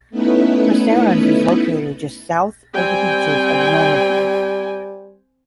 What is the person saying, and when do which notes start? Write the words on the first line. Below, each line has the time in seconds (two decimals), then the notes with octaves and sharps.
Cresserons is located just south of the beaches of Normandy.
0.10 A3 B3 C#4 D#4 E4 B4
2.75 G3 C4 G5 G#5